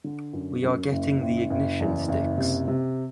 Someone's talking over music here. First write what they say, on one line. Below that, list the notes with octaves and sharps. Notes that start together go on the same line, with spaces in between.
We are getting the ignition sticks.
D3
F#2
F#2
F#1
F#1
F#1
E2
F#1
C3
C3